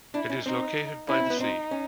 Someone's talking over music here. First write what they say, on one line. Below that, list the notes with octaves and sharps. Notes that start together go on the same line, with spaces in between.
It is located by the sea.
D4 E4
C#4
C4 D#4
C#4 E4
C4
B3
C4 D#4
C#4